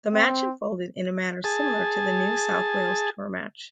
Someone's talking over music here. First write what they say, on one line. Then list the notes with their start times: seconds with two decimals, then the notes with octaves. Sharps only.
The match unfolded in a manner similar to the New South Wales tour match.
0.14 C4
1.44 G#4 A5